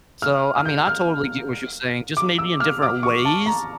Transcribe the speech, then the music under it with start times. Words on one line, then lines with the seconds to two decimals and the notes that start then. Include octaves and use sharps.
So, I mean, I totally get what you're saying, just maybe in different ways?
0.22 F6
0.58 F6
0.65 G6
0.87 F6
2.17 D6
2.38 E6
2.60 F6
2.82 D6
3.03 C#6
3.25 A5
3.46 A#5